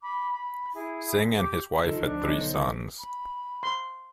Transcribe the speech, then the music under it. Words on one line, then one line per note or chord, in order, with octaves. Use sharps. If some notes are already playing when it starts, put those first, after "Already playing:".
Singh and his wife had three sons.
B5 D6
B5
E4 G#4
G4 D6
D3 F#3 D#4 F4 A4
D2 F3 D4 C#6 F#6
B1 D#4 A5
D3 C5
B5
C6